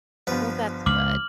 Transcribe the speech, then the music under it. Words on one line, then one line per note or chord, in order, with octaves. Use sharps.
Well, that's good.
G1 F3 B3 B4
C#2 D6 F6 F#7